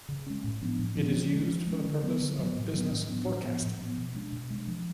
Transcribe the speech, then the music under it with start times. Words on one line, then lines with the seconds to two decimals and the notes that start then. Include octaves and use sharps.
It is used for the purpose of business forecasting.
0.09 C#3
0.26 G#3 C#4
0.44 A2
0.62 F3 B3 D4
0.79 A2
0.97 F3 B3 D4
1.14 F3
1.32 G#3 C#4
1.50 F3
1.67 G#3 C#4
1.85 D3
2.03 F#3 B3
2.20 D3
2.39 F#3 B3
2.56 A2
2.73 F#3 B3 D4
2.91 A2
3.09 F#3 B3 D4
3.26 A2
3.44 F3 B3
3.62 A2
3.80 F3 B3
3.97 B2
4.15 G#3 D4
4.32 B2
4.50 G#3 D4
4.67 F3